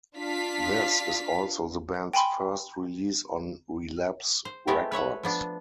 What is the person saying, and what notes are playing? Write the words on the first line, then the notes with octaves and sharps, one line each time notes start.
This is also the band's first release on Relapse Records.
D4 F4 F5 B6
G5 G#5 B5 C6
C5
G#3 A3 B3 C4 E4 G4
B4 C#5 E5 F#5
F3 B3 D4